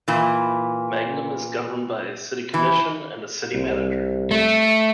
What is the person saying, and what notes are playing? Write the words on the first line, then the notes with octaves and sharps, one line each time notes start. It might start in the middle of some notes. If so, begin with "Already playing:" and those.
Mangum is governed by a city commission and a City Manager.
A#2 E3
E3
C2
A3